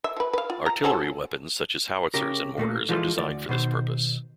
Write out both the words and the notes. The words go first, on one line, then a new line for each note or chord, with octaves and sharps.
Artillery weapons such as howitzers and mortars are designed for this purpose.
E5
F3 B4
B4 F5
F4
A#5
F#3 C#4 A4
C#3 G4 A#4
A#2 A3 A#3
E3 F3 G#3 F4 G4 A4
D2 D5
B2 D#3 C5